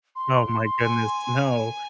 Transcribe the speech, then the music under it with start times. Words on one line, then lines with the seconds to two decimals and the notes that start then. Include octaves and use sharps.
Oh my goodness. No.
0.16 C6
0.80 G#5